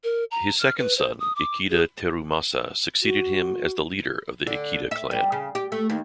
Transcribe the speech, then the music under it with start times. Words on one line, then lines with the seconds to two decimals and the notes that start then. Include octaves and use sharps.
His second son, Ikeda Terumasa, succeeded him as the leader of the Ikeda clan.
0.04 A#4
0.31 A#5
0.60 F6
0.78 B4
0.98 C5
1.20 D#6
1.36 D6
1.70 G#4
3.03 F#4
4.47 D3
4.91 E5
5.11 G3
5.32 C#3
5.55 G4
5.72 A3
5.90 D#2